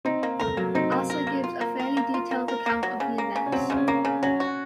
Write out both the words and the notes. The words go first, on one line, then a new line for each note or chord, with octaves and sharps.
Asser gives a fairly detailed account of the events.
C4 D#4
A#3
A3 A#4
F#3 A#3
C4 D#4
A#3
A#4
A#3
F4
A#3
A#4
A#3
F4
A#3
A#4
A#3
F#3
C#3
A#3
C#3
C#4
F#3 C4
C#3
C#4
A#3
C#3
F#3 C#4
F#4